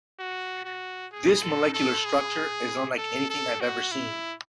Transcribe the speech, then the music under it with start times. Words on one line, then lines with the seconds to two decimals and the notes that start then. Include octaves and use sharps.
This molecular structure is unlike anything I've ever seen.
0.19 F#4
0.65 F#4
1.12 G#4
1.43 A4
1.74 A4
2.05 G#4
2.98 A4
3.29 A4
3.60 F#4
3.91 E4